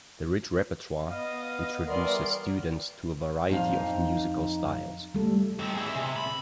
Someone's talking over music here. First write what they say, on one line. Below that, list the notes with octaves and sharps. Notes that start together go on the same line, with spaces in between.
The rich repertoire introduces students to a variety of musical styles.
B3 D#5 F5
E3 G3 B3 A#4 D5 C6
F2 D#4 F5
G3 A3 A4
G#2 C4
E4 G#4
C3
B5